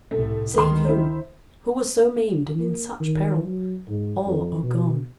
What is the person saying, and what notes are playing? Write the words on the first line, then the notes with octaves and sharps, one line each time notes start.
Save you--who were so maimed and in such peril--all are gone.
C2 A2 A3
D2 D#3 B3 C6
E4 C5
A#3
D#3
F#3
G#2
F2
B2